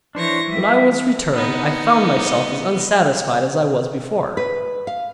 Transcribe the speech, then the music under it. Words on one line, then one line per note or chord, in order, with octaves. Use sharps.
When I was returned, I found myself as unsatisfied as I was before.
E3 D4 C5 C#5 C#6 A#6
E3 G3 E5
B3 D#4
B4
F5